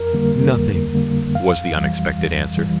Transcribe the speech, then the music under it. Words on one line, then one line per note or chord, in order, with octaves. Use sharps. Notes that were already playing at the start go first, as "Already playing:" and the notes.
"Nothing," was the unexpected answer.
Already playing: F2 A#4
D3 G3 A#3
F2
D3 G3 A#3
F2 F5
E3 G3
F2
E3 G3